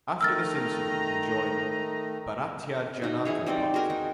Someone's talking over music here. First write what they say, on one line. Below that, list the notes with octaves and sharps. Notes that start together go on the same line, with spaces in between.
After this incident he joined Bharatiya Janata Party.
D#3 A3 D#5 A#5 E6 F6 A6
D#4 F#4
E3 E4 G#4 C#5
G3 C4 D#4 D5
F#4 G#4 A#4 G#5
D#4